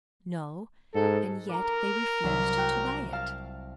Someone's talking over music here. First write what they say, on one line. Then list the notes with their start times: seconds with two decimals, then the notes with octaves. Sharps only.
"No; and yet they refused to buy it."
0.94 G#2 A4
1.49 A#4 A#5 D6
2.24 C2 F#3 E5
2.57 F#4 G5 F#6
3.13 F5 A5 F6